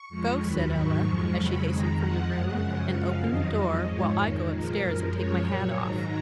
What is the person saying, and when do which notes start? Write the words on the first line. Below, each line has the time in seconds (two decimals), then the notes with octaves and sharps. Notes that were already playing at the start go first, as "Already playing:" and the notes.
"Go," said Ella, as she hastened from the room, "and open the door, while I go upstairs and take my hat off."
Already playing: C#6
0.09 F2 F3 G#3
0.40 D#2 D#3 F#3 B5
0.72 G#2 D#3 F#3 C#6
1.03 F2 F3 G#3
1.35 F2 C#3 F#3 B5
1.66 F2 D#3 G#3 A#5
1.97 F2 F3 G#3 F#5
2.29 F#2 C#3 G#3 F#5
2.60 F#2 C#3 F3 F#5
2.91 F#2 C#3 F3 G#3 F5
3.23 F2 D#3 F#3 D#5
3.55 F2 F3 G#3
3.86 G#2 F3 G#3 C#5
4.18 F2 D#3 G#3
4.49 A#2 F3 G#3 A#4
4.80 F#2 F3 G#3
5.11 F#2 F3 G#3 C#5
5.43 A#2 F#3 C#5
5.75 G#2 D#3 F#3 A#5